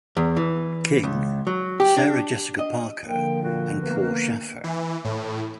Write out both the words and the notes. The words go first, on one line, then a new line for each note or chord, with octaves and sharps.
King, Sarah Jessica Parker, and Paul Shaffer.
E2
E3
C#2
F#3
G4
D4
D#5
D3 F3 A#3 G5
A#2 F#4
A#3 B3
E3
A2